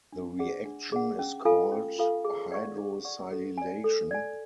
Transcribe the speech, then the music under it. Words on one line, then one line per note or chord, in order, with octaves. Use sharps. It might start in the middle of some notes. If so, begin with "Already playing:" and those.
The reaction is called hydrosilylation.
D4
G#4 D5 F#5
D4
G#4 D5 F#5
C#4
F4 A4 F5 G#5
C#4
F4 A4 F5 G#5
G#4
D5 F#5 C#6
G#4
D5 F#5 C#6
A4
D5 G#5
A4
D5 G#5